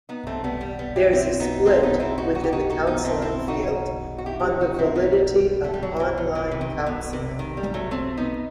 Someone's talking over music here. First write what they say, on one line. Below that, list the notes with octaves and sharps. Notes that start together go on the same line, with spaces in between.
There is a split within the counseling field on the validity of online counseling.
B3 D#4
A3 C4
G3 B3
G3
G3 B3
E4 G4
C4 E4
B3 D#4
A3 C4
B3 D#4
C4 E4
D#4 F#4
D#4 F#4
G4
D#4 F#4
D#4 F#4
B3 D#4
A3 C4
C4 E4
D#4 F#4
F#4
E4 G4
G4
D#4 F#4
D#4 F#4
F#4
C4 E4
B3 D#4
G3
A3
G3
F#3
E3
F#3
E3
C3
D#3
B2
C3
D#3
G3
F#3 A3
A3 C4
B3 D#4